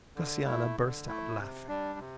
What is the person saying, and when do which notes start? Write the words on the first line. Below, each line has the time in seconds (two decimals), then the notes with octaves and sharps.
Josiana burst out laughing.
0.16 D3
0.46 A3 E4
0.76 D3
1.08 A3 E4
1.37 C3
1.68 G3 D4
1.99 C3